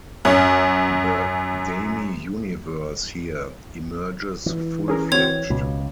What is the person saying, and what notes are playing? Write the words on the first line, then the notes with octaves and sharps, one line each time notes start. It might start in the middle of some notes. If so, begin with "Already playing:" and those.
The Demy universe here emerges full-fledged.
F#2 C#4
E3
C#4 G#4 A#4
C4 F#4 C#5 G#6 F7
C#2 B2